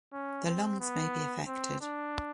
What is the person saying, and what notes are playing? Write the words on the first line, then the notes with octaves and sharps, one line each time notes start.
The lungs may be affected.
C#4
C4
B3
C4
D4